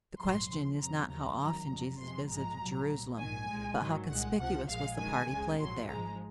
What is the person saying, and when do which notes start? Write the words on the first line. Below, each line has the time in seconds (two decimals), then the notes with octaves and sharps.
The question is not how often Jesus visited Jerusalem, but how conspicuous was the part he played there.
0.19 A#1 G#2 F#3 C6
0.49 D#2 C#3 F3
0.79 F2 C3 F#3 A#5
1.09 D#2 C#3 F3 A#5
1.39 G#1 F#2 D#3 F#3 A#5
1.70 F2 C#3 F#3
1.99 F2 C3 F3 G#3 C6
2.29 A#1 G#2 F3 G#3 A#5
2.59 C2 A#2 F#3
2.89 C2 A#2 F#3
3.19 A#1 G#2 D#3 G#5
3.49 C2 A#2 G#3
3.79 G#1 G#2 D#3 F#3
4.09 C2 A#2 G#3 F#5
4.39 C#2 C3 F3 F#5
4.69 A#1 A#2 G#3 F5
4.99 F#2 D#3 G#3 G#5
5.29 C#2 C#3 G#3
5.59 A#1 G#2 F#3 C6
5.89 G#1 G#2 F3 G#3 A#5